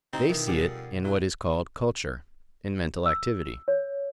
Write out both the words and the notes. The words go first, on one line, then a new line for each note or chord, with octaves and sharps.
They see it in what is called culture--in mental activity.
C3 C4 D#4 A#5
F2 B2 D#3 E3
G3 G4 G#4 D5 F#5 D#6
F#3 E4
E6
C#5